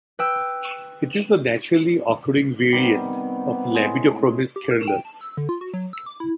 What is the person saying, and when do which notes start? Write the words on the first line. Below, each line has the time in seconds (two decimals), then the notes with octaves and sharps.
It is a naturally occurring variant of "Labidochromis caeruleus".
0.19 B4 G5 E6
2.73 C3 D#3 G3 B3
3.75 A2 G#3
4.56 G4
4.71 A#4
4.88 G5
5.05 A5
5.21 E6
5.37 D3
5.49 F4
5.61 F#4
5.73 F#3
5.93 E6
6.06 D6
6.20 E4